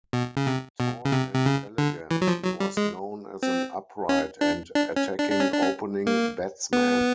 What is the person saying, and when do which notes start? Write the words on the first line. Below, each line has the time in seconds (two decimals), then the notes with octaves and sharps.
Tall and elegant, he was known as an upright and attacking opening batsman.
0.13 B2
0.37 C#3
0.47 C3
0.80 B2
1.05 C#3
1.12 C3
1.35 C3
1.46 C#3
1.78 D3
2.11 E3
2.21 F#3
2.28 F3
2.45 F#3
2.60 G3
2.77 G#3
3.43 C4
4.09 C#4
4.41 D4
4.75 D4
4.96 C#4
5.19 D4
5.31 D4
5.40 C#4
5.52 D4
5.62 C#4
6.07 A#3
6.73 B3